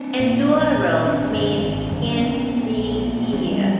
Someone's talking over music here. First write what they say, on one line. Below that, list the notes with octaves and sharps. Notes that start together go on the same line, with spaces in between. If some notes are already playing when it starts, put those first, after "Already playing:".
Endaural means "in the ear".
Already playing: C4 D4
A#2
C4
B1 B3 C#4
A#2
G#1 C4 D4
F#2 D3
G#1
F#2 D3
D4
A#1 B3 C#4
A#2
A#1
A#2
A1 B3 C#4
F#3
F3 G3